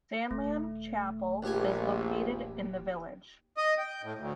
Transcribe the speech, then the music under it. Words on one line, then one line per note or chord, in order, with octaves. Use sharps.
Sandland Chapel is located in the village.
D#1 A3
A#1 D#2 G4 G#5
D#5
G5
A2
D2